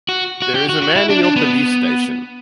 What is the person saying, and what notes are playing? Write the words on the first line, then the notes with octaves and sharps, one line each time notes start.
There is a man in your police station.
F#4
F#4
G4
F#4
F#4
E4
D4
D4
B3